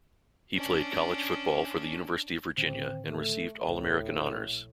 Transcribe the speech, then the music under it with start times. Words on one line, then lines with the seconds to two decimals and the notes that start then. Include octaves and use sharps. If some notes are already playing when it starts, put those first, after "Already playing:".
He played college football for the University of Virginia and received All-American honors.
0.56 C#4 D4
2.58 A2 D3 D#3 C4
3.09 A3
3.68 D1 C#2 A2
4.08 A#1